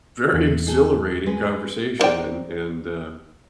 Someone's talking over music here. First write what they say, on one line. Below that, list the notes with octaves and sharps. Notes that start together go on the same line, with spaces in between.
very, exhilarating conversation and and, uh,
E2
D#4 G#4 A4
G#3 B4
B3 D#4 C5 D5 G5